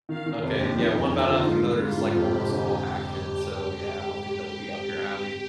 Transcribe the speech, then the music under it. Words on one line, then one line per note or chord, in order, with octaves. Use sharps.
Okay, yeah, One Battle After Another is, like, almost all action, so, yeah, I don't think that would be up your alley.
D#3 F5
D#3
F1 G4
D#2
F3 D#4
F2
F2 F4
D3
G#2
G3
G#2 F4
G#2
F2 G4
F1
D3 G4